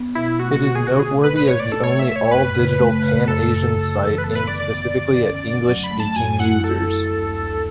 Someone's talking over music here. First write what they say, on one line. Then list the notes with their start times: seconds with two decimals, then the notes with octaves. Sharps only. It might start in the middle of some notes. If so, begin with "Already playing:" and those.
It is noteworthy as the only all-digital, pan-Asian site aimed specifically at English-speaking users.
Already playing: B3
0.15 B2 E4
0.39 A3 F#4
0.51 F#4
0.63 D3 F#4
0.75 G#4
0.87 D3 F#4
0.99 G#4
1.12 A3
1.24 B4
1.36 G#2 B4
1.48 C#5
1.59 A3 D5
1.72 A4
1.84 A3 C#5
1.99 E5
2.07 A3
2.16 C#5
2.31 F#2 B4
2.56 C#3
2.79 A3
3.03 C#3
3.27 F#2 A4
3.51 C#3
3.76 C#3
4.00 E3
4.18 B4
4.23 B3 A4
4.35 B4
4.47 D3 D5
4.60 D5
4.71 B3
4.96 D3
5.19 C#4
5.44 A3
5.68 F#3
5.84 B5
5.91 A3
6.00 A5
6.16 F#2 G#5
6.39 E4 F#5
6.64 F#2 A4
6.88 E4
7.12 D2
7.35 D2